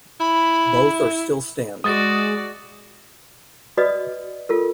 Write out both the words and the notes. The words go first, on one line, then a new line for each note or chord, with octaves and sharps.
Both are still standing.
E4 B5
G#3 F#4 D5 D#6 A6
F#4 B4 D5 D#5 D#6
F4 A4 A#4